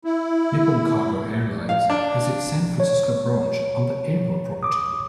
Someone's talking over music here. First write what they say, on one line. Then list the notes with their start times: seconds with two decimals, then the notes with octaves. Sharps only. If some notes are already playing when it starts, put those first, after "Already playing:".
Nippon Cargo Airlines has its San Francisco branch on the airport property.
0.05 E4
1.69 F5
1.90 D4
2.80 C#5
4.63 D6 D#6